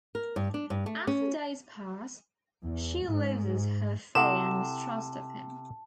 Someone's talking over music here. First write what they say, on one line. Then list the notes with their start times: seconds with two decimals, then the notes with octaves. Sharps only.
As the days pass, she loses her fear and mistrust of him.
0.15 A#4
0.36 G2
0.54 D4
0.70 G2
0.86 A3
1.07 C#4
2.64 E2
3.05 G#2
4.15 C3 E4 A4 F#5 A5 E7